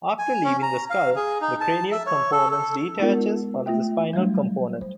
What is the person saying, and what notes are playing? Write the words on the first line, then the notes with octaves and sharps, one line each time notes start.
After leaving the skull, the cranial component detaches from the spinal component.
G#5
C#4
A#5
F5
G#4
D#4
A5
E5
C#5
A4
A4
G#3 B3 D#4 F4 A#4 F#5
A3 F4 E5 G5
F#3 G3 A3 D4
C5